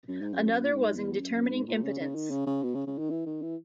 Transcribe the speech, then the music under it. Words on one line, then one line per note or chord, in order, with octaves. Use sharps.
Another was in determining impotence.
F#2
G#2
F#2
A#2
G#2
E2
F#2
F#2
G#2
A#2
C#3
C#3
D#3
C#3
C#3
B2
C#3
C#3
D#3
E3
D#3
E3